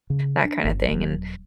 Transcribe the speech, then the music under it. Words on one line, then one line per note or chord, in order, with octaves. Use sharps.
that kinda thing, and
C#3
D4
G1
D#1 F#3